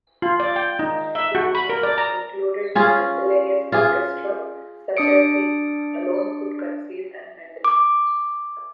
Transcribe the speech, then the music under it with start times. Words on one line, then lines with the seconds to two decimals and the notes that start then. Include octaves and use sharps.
These means included a miscellaneous orchestra such as he alone could conceive and handle.
0.22 F4
0.40 D5
0.56 G5
0.79 D#4
1.15 E5
1.35 F#4
1.55 B5
1.70 A#4
1.83 D5
1.98 A#5
2.75 C#4 F4 G#4
3.72 F4 G#4
4.97 D4 D5 D#6 C#7 D7
7.65 D6